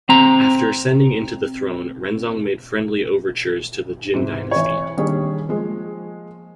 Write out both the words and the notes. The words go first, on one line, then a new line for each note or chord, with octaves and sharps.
After ascending into the throne, Renzong made friendly overtures to the Jin Dynasty.
C4 A#5
G#2 C3
E3 C#5
D#3 G3 A#3 D4 G#4 C#5
F3 G#3 A#3